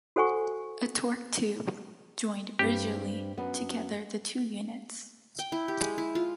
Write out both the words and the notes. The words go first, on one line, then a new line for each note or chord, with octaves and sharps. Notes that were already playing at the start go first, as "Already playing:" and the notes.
A torque tube joined rigidly together the two units.
F#4 A4 C5 F#5 G#5 C#6
G2 C4 G4
F#2 B3
G5
E4
G4
G#3
E4
F4